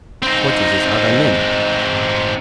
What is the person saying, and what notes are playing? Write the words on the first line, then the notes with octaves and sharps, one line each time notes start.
"What is his other name?"
C4 D#4